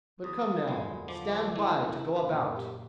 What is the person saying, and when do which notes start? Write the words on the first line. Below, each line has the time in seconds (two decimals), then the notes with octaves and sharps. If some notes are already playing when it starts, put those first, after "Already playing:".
But come now, stand by to go about.
0.24 E2 D#6
0.68 E2 A#2 D3 F#3 G#3 B5
1.08 F3 D6
1.56 G#3 A3 E4
2.16 F#1 A#2 A#3 B4
2.54 G4